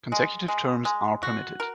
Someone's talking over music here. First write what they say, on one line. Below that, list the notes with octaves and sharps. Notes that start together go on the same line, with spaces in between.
Consecutive terms are permitted.
G#3
G#3
G#3
F#4
A#4